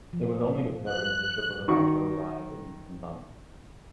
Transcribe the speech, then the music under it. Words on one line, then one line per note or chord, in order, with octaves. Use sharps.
It was only discovered as the ship was about to arrive in Penzance.
F3
F#6
D#3 F#4 C#6